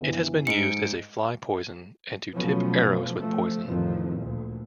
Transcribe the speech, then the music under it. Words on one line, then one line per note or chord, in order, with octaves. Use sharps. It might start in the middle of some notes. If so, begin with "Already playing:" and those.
It has been used as a fly poison and to tip arrows with poison.
G1 E3
G#2 C#7 D7
B2 F3 F#3 A3 B3 C#4
F3 A3
A1 F2 C3 D#3 F3
D2 A#2